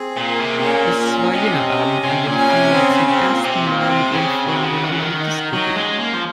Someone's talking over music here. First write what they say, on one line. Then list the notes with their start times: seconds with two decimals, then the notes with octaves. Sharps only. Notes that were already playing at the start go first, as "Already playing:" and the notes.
Es war jener Abend, an dem Finja zum ersten Mal mit ihren Freundinnen in die Disco ging.
Already playing: C4 G#4
0.17 A#2
0.28 A#3
0.39 C3
0.59 C3
0.63 A#2 C#4
0.98 C#4
1.33 C3 D#5
1.68 C#4
2.03 C3 G#5
2.27 A#2
2.38 C#4
2.49 C3
2.73 C#3 C4
2.91 C#3
3.08 C#3 C4
3.26 A#2
3.43 C3 C4
3.67 A#2
3.79 C4
3.90 C3
4.12 C#3 G#5
4.47 C#3 F#4
4.56 C3
4.63 C#3
4.83 D#3 F#5
4.91 C#3
4.99 D#3
5.19 D#4
5.53 F#3 D#5
5.76 G#3
5.88 C#4
6.00 A#3
6.14 F3